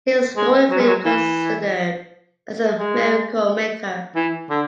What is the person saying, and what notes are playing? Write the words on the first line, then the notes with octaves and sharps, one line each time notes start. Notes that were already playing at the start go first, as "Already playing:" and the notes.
He is historically considered as a miracle maker.
G#3
F#3
G#3
F#3
E3
G#3
E3
D3